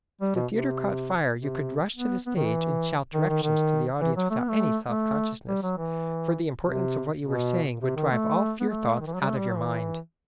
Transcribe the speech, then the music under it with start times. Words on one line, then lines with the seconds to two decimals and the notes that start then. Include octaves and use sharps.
If the theater caught fire you could rush to the stage and shout directions to the audience without any self-consciousness, for the importance of what you were saying would drive all fear-thoughts out of your mind.
0.21 G3
0.35 B2
0.51 C3
1.39 C3
1.96 B3
2.27 B3
2.36 D#3
2.45 E3
3.14 D#3
3.29 D#3
3.43 D#3
4.01 E3
4.17 F#3
4.30 A3
4.39 B3
4.48 A3
4.89 A3
5.48 G3
5.62 F#3
5.78 E3
6.65 C3
7.23 B2
7.82 C3
7.96 D#3
8.11 A3
8.60 B3
8.70 A3
9.00 D#3
9.07 E3
9.14 F#3
9.20 G3
9.28 A3
9.38 G3
9.48 F#3
9.58 E3